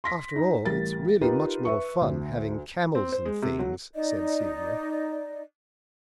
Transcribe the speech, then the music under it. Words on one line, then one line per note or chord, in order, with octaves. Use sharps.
"After all, its really much more fun having camels and things," said Celia.
C6 A#6 B6
D#4
A1 G3 A#4 A6
D#4 F4 G4 A#4 B4
B4 E5 C#6
D2
C4
C5
G#3
C3
F#3
D#4 D5 D#5